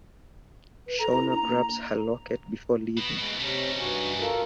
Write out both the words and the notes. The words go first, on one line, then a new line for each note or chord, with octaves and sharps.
Shawna grabs her locket before leaving.
B4
A4 A#5
E4 A#5
D4 A#5
A#3
B2
D#2 B2 G#3
C3 A3 C#4 D#4
G2 F#4 G#5
F4 A4 A#4